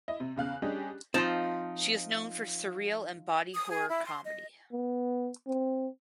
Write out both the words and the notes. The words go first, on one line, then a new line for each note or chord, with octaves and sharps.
She is known for surreal and body horror comedy.
E4 D#5
C3
E2 C#3 F5 F#6
G3 C#4 D4 G4 G#4 D#5
F3 C4 D#4 F4 G5 A5
D#6
G#4
E4
C6
D#5
B3
C4